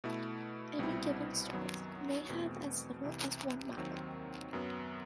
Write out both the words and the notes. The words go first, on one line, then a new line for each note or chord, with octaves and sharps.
Any given series may have as little as one model.
B2 A3 E4
C2 B2 G3 C4 E4
F#2 D#3 F#3 B3
E2 B2 A3 C4
C2 C3 E3
D#2 D#3 F#3 C4
F#2 F#3 B3